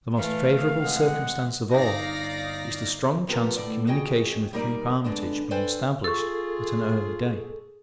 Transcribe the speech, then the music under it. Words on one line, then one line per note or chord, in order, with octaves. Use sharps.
The most favourable circumstance of all is the stronge chance of communication with Cape Armitage being established at an early date.
E3 A3 F5
C3 G#3 F#5
G1 D#4 D5 F5 A#6
F2 F3 B3 G4 A#4
D2 A2 D5
F2 C#3 F#4 G#4 D#5 G5
G3 A#3 D#4 A#4 D5
D3 G#3 B3 D4
A4 B4 C5 D5 G5 G#5
F4 G#4 A4 C#6 E6